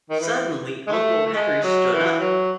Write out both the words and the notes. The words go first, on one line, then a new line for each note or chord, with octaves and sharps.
Suddenly Uncle Henry stood up.
D#3
E3
G#3
A3
A3
G#3
F#3
E3
F#3